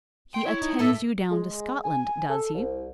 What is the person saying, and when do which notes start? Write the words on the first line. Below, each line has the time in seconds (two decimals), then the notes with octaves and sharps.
He attends you down to Scotland;--does he?
0.34 G5 C6
0.46 E4 C#5
0.61 D#4
0.79 A2 A4 E5
1.31 G#3
1.84 G#5
2.30 A4
2.54 C2